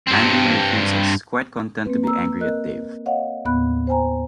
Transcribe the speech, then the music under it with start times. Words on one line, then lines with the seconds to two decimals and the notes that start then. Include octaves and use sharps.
Andrew refuses, quite content to be angry at Dave.
0.07 G2 C4
1.86 A#3 C4 B4
2.03 A#5 E6
2.40 A#4 D#5 F#6
3.06 C#5 D#5 F5 F#5
3.45 D#2 A2 B3 B5 F#6
3.87 C5 G5 G#5 A#5